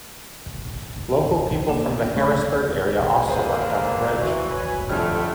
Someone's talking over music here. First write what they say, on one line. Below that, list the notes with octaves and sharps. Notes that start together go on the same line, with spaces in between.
Local people from the Harrisburg area also worked on the bridge.
A#3 D4
D1 A3 B5 C#6
D3 G3 A#3 G#4 B4 C5
E3 F#4
B4 C#5 G#5
F2 A2 D3 G3 A3 F6